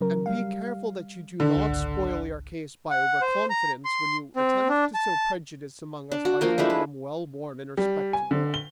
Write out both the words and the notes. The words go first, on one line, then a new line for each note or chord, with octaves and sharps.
And be careful that you do not spoil your case by over-confidence when you attempt to sow prejudice among us by calling them well-born and respectable!
C#3 F#3 A#4
G3 F5
D3
C#2 D4 F#5
G#1 C#2
F#5
C5
A#5
C6
C4
D4
A5
D4
F#4
F3 A#3 A#4
G#3 A3 D4 E4
B4
G3
G#5
D3
G7